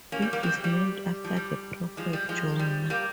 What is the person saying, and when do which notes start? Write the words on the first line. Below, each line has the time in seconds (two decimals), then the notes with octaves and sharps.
It is named after the prophet Jonah.
0.12 A#3 C#4
0.22 G3
0.33 G3 A#3
0.43 G#3 C4
0.54 G3
0.64 G3
1.24 F3
1.36 G3
1.97 F3 G#3
2.13 G3
2.29 F3 G#3
2.59 G3
2.90 G3 A#3